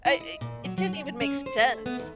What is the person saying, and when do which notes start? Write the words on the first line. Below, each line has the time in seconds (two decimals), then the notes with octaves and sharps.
I it it didn't even make sense.
0.06 E4
0.20 D#5
0.41 A#2
0.65 F#3
0.78 F#3
0.93 C#3
1.21 C#4
1.46 C5
1.58 A3
1.86 B3
2.00 D#2